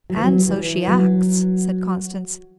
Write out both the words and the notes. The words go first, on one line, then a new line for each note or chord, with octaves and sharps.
"And so she acts," said Constance.
F#3
E3
F#3
E3
F#3